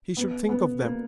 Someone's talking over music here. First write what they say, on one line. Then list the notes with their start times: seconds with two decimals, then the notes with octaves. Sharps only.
He should think of them.
0.17 B3
0.49 B3
0.82 A#3